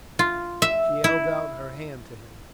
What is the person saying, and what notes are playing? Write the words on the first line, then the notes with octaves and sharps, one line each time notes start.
She held out her hand to him.
F4
E5
E4